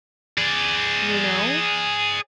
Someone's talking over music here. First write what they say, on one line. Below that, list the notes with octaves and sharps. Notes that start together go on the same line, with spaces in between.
You know?
G#4 D5